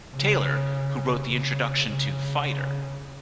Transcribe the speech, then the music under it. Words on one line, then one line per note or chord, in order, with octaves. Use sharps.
Taylor, who wrote the introduction to "Fighter".
C#3
C#3
C#3